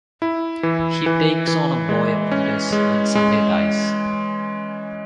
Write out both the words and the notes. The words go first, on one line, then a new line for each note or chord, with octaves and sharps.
He takes on a boy apprentice and Sunday dies.
E4
E3
E3
E3
G#3
C#4
G#3
G#3